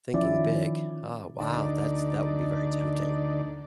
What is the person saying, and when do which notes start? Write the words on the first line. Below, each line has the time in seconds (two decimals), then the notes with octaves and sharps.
thinking big. Oh, wow, that's that would be very tempting.
0.14 D#3 F3 C#4 E4 D5
1.40 D2 D3 D#4 D5